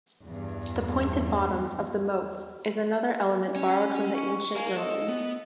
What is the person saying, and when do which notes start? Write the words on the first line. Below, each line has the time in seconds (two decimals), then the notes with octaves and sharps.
The pointed bottoms of the moats is another element borrowed from the Ancient Romans.
0.24 E2 G2
3.56 C#4
4.15 C#6
4.55 A#4 F5 G#5
4.77 A4 D#5
5.08 B3